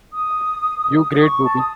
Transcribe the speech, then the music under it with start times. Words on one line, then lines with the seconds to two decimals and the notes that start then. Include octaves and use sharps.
You great booby!
0.13 D#6
1.01 D#6
1.12 D#6
1.22 C#6
1.45 A5
1.59 D#6